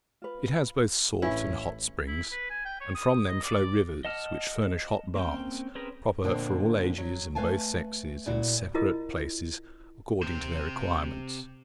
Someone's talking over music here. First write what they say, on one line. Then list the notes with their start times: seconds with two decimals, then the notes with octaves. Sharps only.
It has both salt and hot springs, and from them flow rivers which furnish hot baths, proper for all ages and both sexes, in separate places, according to their requirements.
0.22 F4 B4
1.22 A1 C#4 E4 B4
2.08 E4
2.32 B4
2.50 G#5
2.65 G5
2.81 C#5
2.95 D#6
3.28 D#5
3.44 D5
4.05 D#5 F#5 A5 F6
5.16 A#3 C4 C#4 G5
5.75 C4 C#4 G#4 A#4 B4
6.24 F2 A#2 D3 A#3 B3
6.98 F#3
7.35 A3 B4 F5 G#5 A5
8.26 A#2 E4 F#4
8.74 E4 F4 A#4 D#5
10.23 C3 C5